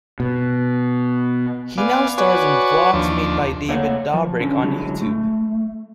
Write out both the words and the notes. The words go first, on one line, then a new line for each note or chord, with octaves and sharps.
He now stars in vlogs made by David Dobrik on YouTube.
B2
B3 D5 F5 G#5
F#4 B4 C#5 D5 G#5
D#2 F3 D4
A3 A#3 C#5 F#5
F3
D3 C#4
D3 F#3 G#3 D#4 E4
A3